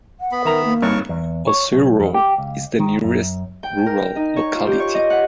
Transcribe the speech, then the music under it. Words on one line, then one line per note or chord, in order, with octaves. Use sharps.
Ozero is the nearest rural locality.
F#5
B3 B5
D#3 A#4 E5 A#5
A#3
G#1 G2 A#4 C#5 C#6
E2
C#5
B1
F2
G4
C#2
D#3
F#2
G5
A#4
D#4
C#5
F4
G4
C#5
D#5
F#5